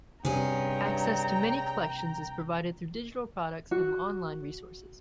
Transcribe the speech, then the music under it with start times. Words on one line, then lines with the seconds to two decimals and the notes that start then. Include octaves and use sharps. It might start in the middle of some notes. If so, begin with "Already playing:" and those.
Access to many collections is provided through digital products and online resources.
0.25 G2 C3 C#4 G#4 G5 A#5
3.71 F#4